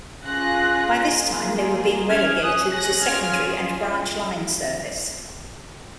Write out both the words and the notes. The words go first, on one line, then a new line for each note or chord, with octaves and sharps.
By this time they were being relegated to secondary and branch line service.
C#4 F4 G#4 F#6 A#6
A#3 F4 G#4
C#4 G#4 F6 G#6
D#6 F#6
F#6 A#6
C#4 F4 G#4 F6 G#6